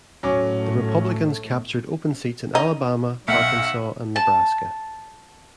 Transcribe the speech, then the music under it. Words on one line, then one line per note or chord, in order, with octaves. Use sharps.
The Republicans captured open seats in Alabama, Arkansas, and Nebraska.
A2 F#3 C#4 D6
D#4
B1 E5 F#5 F6
A5